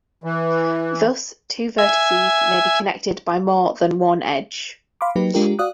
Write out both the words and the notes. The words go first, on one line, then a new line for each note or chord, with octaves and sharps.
Thus two vertices may be connected by more than one edge.
E3
E5 G#5
F5 B5 C6 D6
F#3 A#3 D#4 G4 B4
G#3 D4 F4 G4 A#4
F#4 D5 F5 D#6 F#6